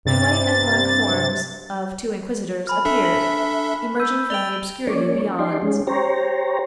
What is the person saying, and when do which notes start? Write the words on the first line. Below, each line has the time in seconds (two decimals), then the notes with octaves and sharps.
The white and black forms of two inquisitors appeared, emerging from the obscurity beyond.
0.05 G2 C3 A6
2.67 G#5 B5 F6
2.85 D4 A4 E5
3.05 B6 F#7
4.00 E6 G6 D#7
4.30 D5 G5 F7 G7
4.87 A#3 C#4 C#5 D5
5.39 D#4 G4 D5 C6
5.62 G#3 C#4
5.87 G4 C5 C#5 A#5